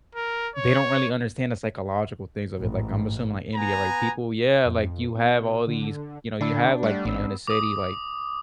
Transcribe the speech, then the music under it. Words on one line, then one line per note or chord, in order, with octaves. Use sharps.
they don't really understand the psychological things of it. Like, I'm assuming like India, right, people yeah, like, you have all these you know, you have, like, you know, in a city, like,
A#4
C#5
A1 G#2
B3 G#5 A#5
F2
B2
D3
D3
D3 A3 D4 E4
G3 A3 F#5
A1 B3 C4
D6 D#6